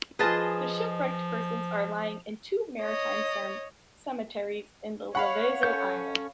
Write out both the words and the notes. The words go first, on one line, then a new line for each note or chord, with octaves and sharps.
The shipwrecked persons are lying in two maritime cemeteries in the Lavezzo island.
F3 F4 G#4 B4 D#5 A5
C#5 D#5
C#5 F5 F#5 B5 C#6
C#4 A4 G6